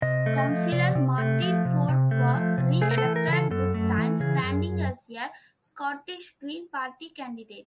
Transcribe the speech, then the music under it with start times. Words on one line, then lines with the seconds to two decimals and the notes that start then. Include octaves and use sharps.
Councillor Martin Ford was re-elected, this time standing as a Scottish Green Party candidate.
0.02 C3 D#5
0.26 A3
0.38 D#5
0.48 F3
0.72 C3 D5
0.95 C3
1.18 A3
1.42 F3
1.65 C3
1.89 C3
2.11 A3
2.34 F3
2.58 C3
2.81 A3 G#4
2.91 A#4
2.98 A4
3.04 E3
3.16 A#4
3.28 C#3
3.33 A4
3.51 F#2 A4
3.74 A3
3.97 E3
4.20 C#3 G#4
4.43 F#2